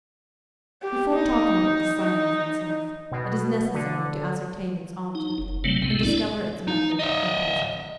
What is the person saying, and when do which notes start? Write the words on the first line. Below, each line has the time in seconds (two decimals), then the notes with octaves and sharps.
Before talking of the science itself, it is necessary to ascertain its object, and discover its method and principle.
0.83 G4
1.15 D#4
2.02 D#4
3.12 B2
3.74 D3
5.15 D#4
5.38 F#1
5.64 C3 F#3 G3 A3 C4
5.82 C2 A2 C3 B3 C4
6.03 D4 E4 D5
6.68 D#4
6.99 D#5 E5